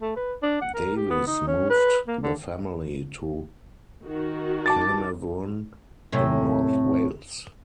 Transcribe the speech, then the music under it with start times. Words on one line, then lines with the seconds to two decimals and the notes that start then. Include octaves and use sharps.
Davies moved the family to Carnarvon in North Wales.
0.02 A3
0.17 B4
0.43 D4
0.62 F#5
0.75 A#4
0.96 G4
1.10 B3
1.27 D#4
1.47 C#4
1.70 B4
2.08 A#3
2.23 D3
4.06 D#3 F#4
4.66 A5 D6 A6
6.12 F#2 A2 C3